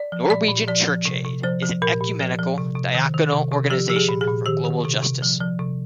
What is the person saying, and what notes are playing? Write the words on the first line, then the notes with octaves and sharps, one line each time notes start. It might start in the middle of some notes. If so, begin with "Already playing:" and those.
Norwegian Church Aid is an ecumenical diakonal organisation for global justice.
Already playing: D5
F3
A#2 D5
A#2
F3 D5
F3
C3
C3
F3 C5
F3
A#2 A#4
A#2
F3
F3
C3
C3
D#3
D#3
C3
C3
F3 G4
F3 G4
G#4
A#2
G#4
A#2
D#3 G4
D#3
C3
C3
F3
F3
C3